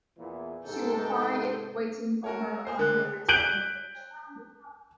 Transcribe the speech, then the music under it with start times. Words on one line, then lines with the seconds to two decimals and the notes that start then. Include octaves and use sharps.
She will find it waiting for her on her return.
0.17 E2 A#2 E3
0.66 G#2 C3 A4 G5
2.24 F#4 A#4 C#5
2.65 A#3 C5 C7
2.79 C#2 D3 A#4 F#6
3.29 F#6 G6 D7 F#7